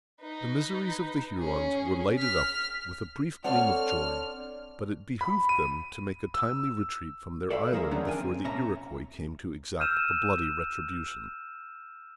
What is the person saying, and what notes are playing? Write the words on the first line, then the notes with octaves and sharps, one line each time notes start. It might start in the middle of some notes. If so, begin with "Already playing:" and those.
The miseries of the Hurons were lighted up with a brief gleam of joy; but it behooved them to make a timely retreat from their island before the Iroquois came to exact a bloody retribution.
D#4 B4
C#4 G#4
F6 B6
C4 D4 A4 C#5 F#5 F6
B5
D#7
E6
A4 D5 E5 F5 G5 B5
F3 A#3 G#4 A#4 C5 E5
D3 D#3 F#3 G#3 C#4 D4
D4 A#4 G5 G#5
C4
A#2 C#4 E5 A5 A#5
E6 F6 G6 D#7 E7